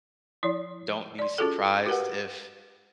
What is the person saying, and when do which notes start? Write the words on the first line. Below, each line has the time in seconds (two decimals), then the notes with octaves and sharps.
don't be surprised if
0.43 F3 E4 C#5 D5
1.19 D5 C6
1.38 C#4 F4 F#4 G#4 A4
1.86 F#4 G4 A#4 B4 F#5